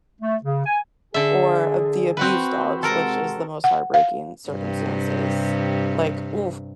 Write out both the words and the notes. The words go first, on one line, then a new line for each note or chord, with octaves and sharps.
Or the abused dogs, which is the most heartbreaking circumstances. Like, oof,
A3
C#3
G#5
D3 G#4 E5
C4 F#4 B4
C3 G#3 A4 A#4 F#5 A#5
F#5
F5
G2 C3